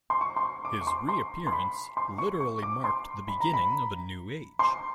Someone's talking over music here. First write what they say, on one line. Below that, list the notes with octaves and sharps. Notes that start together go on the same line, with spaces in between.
His reappearance literally marked the beginning of a new age.
C6
C#6
C6
C#6
D6
C#6
C6
C6
C6
B5
C6
C#6
C#6
D6
C6
B5
A#5
B5
C6